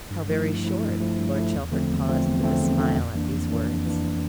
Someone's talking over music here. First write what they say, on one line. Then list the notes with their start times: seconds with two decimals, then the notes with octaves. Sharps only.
'How very short!' Lord Chelford paused, with a smile, at these words.
0.11 G2
0.28 F3 A3 E4
0.46 G2
0.64 F3 A3 E4
0.82 G2
1.00 F3 A3 E4
1.18 G2
1.36 F3 A3 E4
1.54 E2
1.72 D3 F3 A3 C4
1.90 E2
2.08 D3 F3 A3 C4
2.25 E2
2.43 D3 F3 A3 C4
2.61 E2
2.79 D3 F3 A3 C4
2.97 F2
3.15 E3 A#3 D4
3.32 F2
3.51 E3 A#3 D4
3.68 F2
3.86 E3 A#3 D4